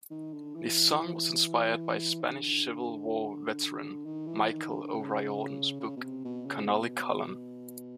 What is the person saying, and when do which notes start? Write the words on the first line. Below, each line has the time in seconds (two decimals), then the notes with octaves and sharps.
The song was inspired by Spanish Civil War veteran Michael O'Riordan's book Connolly Column.
0.11 D#3
0.34 D3
0.55 E3
2.21 D#3
2.30 D3
4.05 D#3
4.27 E3
4.49 D#3
4.71 D3
4.93 C#3
5.80 C#3
5.97 B2
6.03 C3
6.25 B2
6.46 C#3
6.68 B2